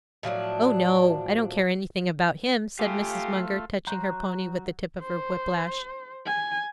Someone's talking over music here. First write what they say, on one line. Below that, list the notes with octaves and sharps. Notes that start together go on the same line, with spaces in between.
"Oh no; I don't care anything about him," said Mrs. Munger, touching her pony with the tip of her whip-lash.
A2 F3 F#3 D4
A3 F4 G4 F5 G#5
F#3 F#4 A#5 C6 G6
C5
G#5